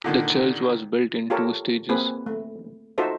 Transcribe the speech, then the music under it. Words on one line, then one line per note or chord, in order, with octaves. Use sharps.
The church was built in two stages.
A#2 D3 D#3
F4 G4 A4 A#4 C#5
A#3 C4 G#4 B4
A3
D#4 F4 F#4 A4 C5 E5